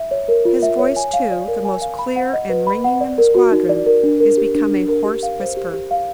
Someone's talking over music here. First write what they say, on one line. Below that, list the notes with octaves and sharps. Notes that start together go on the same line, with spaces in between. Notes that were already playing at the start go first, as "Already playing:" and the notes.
His voice, too, the most clear and ringing in the squadron, is become a hoarse whisper.
Already playing: E5
C#5
A#4
F4
E5
C#5
G#5
F5
D5
A#4
G#5
F5
B5
F#5
D#5
B4
B5
F#5
D5
A#4
F#4
D#4
D5
A#4
D4
A#4
G4
D4
D4
A#4
G4
F5
C5
G4
G4
F5